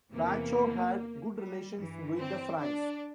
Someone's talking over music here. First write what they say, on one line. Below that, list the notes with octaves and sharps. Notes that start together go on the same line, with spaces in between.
Wacho had good relations with the Franks.
E2 C3 E3 A#3
G3
G2 E3
C4
D4